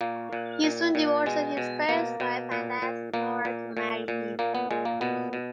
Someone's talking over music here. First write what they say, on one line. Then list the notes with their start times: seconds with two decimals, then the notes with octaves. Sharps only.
He soon divorced his first wife and asked Nora to marry him.
0.01 A#2 A#3
0.33 A#2
0.64 A#2
0.95 A#2
1.26 B2 G#3
1.57 B2
1.89 B2 A#3
2.20 B2
2.52 A#2
2.82 A#2
3.14 A#2 A#3
3.45 A#2
3.77 A#2
4.08 A#2
4.39 A#2 A#3
4.55 B3
4.71 A#2 G#3
4.85 A#3
5.01 B2 B3
5.33 B2